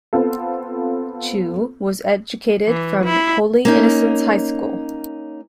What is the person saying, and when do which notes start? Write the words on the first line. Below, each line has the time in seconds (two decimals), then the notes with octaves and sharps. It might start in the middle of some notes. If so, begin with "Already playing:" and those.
Chew was educated from Holy Innocents' High School.
0.13 B3 C4 F4 A4
2.68 E3
3.04 E4
3.65 A#3 C#4 D#4